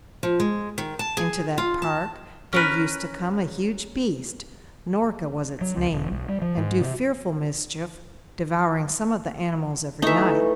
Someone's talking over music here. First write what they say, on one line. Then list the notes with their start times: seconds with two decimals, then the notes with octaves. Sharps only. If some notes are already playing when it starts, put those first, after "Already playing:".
Into that park there used to come a huge beast--Norka was its name--and do fearful mischief, devouring some of the animals every night.
0.23 F3
0.40 G#3
0.78 D#3
0.99 A5
1.17 G#4
1.58 F4
1.82 A5
2.53 C#4 A#4 B4
5.61 F#3
5.77 C#2
5.92 E1
6.11 B1
6.28 G3
6.42 F3
6.57 G#2
6.81 C3
10.02 E3 A3 D#4 E5